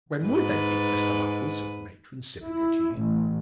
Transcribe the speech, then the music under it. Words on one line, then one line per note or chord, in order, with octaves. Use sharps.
When would they be, Mr. Bumble?' said the matron, sipping her tea.
G#2 B4
E4
A1